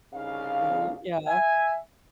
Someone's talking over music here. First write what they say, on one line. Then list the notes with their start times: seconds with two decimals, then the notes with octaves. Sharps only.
soon, yeah.
0.14 C2 C#3 D#4 F5
1.27 E5 G#5